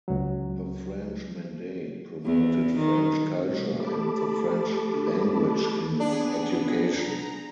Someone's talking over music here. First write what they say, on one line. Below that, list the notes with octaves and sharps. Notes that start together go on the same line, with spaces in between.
The French mandate promoted French culture and the French language in education.
C#2 F#3
E2
D#3
B2 G3 A3 F#4
A3 G4 A4 A5 B5 D6
B3 D4 G#4
A#5